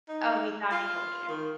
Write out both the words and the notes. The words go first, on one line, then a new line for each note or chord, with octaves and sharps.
Oh, he thought he told you.
D#4
F4
D#3